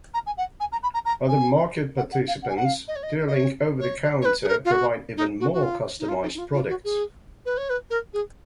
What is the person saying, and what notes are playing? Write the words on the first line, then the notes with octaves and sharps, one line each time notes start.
Other market participants dealing over the counter provide even more customized products.
A#5
G#5
F#5
G#5
A#5
B5
A#5
A#5
G#5
F#5
F#5
F5
F#5
G#5
F#5
F5
D#5
C#5
D#5
D#5
C#5
C#5
C#5
B4
G#4
A#4
F4
F#4
D#4
F#4
F#4
F4
D#4
F4
D#4
D#4
F4
F4
F#4
G#4
B4
C#5
B4
A#4
G#4